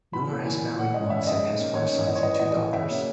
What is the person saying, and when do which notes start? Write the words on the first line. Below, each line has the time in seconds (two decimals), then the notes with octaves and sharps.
Noor has married once and has five sons and two daughters.
0.13 E3 B5
0.30 A#3 C#4
0.45 E3 G#5
0.62 A#3 C#4
0.78 C#3 F#5
0.94 G#3 C#4 D#5
1.10 C#3 E5
1.27 G#3 C#4 D#5
1.44 D#3
1.59 A#3 C#4
1.75 D#3 C#5
1.92 A#3 C#4
2.07 E3 D#5
2.15 C#5
2.23 B3 D#5
2.40 E3 D#5
2.57 B3
2.73 C#3 E5
2.89 F#3 A#3 C#4